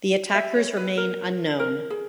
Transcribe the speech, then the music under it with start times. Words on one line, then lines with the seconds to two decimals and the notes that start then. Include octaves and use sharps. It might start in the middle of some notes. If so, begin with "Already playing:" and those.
The attackers remain unknown.
0.35 E5
0.56 C#5
0.77 B4
0.97 A#4
1.60 A#4
1.90 G#4